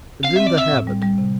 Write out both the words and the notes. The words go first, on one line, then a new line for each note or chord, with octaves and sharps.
And then the habit!
C4 F5
C4 E5
D5
C4 E5
A2
G3
G3
C3